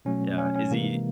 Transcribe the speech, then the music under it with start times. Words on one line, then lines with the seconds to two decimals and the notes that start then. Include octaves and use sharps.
Yeah. Is he
0.05 B2 F#3 A3 C#4
0.38 C#4
0.56 C#4
0.71 C3 E3 G#3 A#3